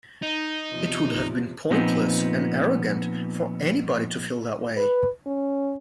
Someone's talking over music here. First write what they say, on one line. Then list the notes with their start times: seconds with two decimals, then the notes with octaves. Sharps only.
It would have been pointless and arrogant for anybody to feel that way.
0.22 D#4
0.70 E2 C3 F3
1.71 A#2 F3 B3 C4 D#4
4.77 B4
5.26 C#4